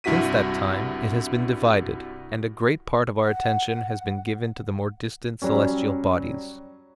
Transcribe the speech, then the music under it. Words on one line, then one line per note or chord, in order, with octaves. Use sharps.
Since that time it has been divided, and a great part of our attention has been given to the more distant celestial bodies.
C2 G2 E4 F#4 B6 D#7
F#5
F#3 G3 C#4